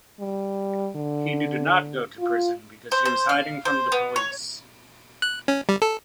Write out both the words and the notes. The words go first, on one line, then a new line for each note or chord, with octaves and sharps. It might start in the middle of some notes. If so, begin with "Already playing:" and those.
He did not go to prison because he was hiding from the police.
G3
D3
F4
C5
C5
F5
C5
B3
C#5
F#6
C#4
G3
A4